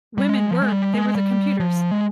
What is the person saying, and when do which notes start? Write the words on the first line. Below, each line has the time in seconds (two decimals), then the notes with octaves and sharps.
women were they were the computers,
0.18 G3
0.29 G#3
0.51 F3
0.62 G#3
0.72 G3
0.94 G#3
1.15 G3
1.60 F3
1.91 G#3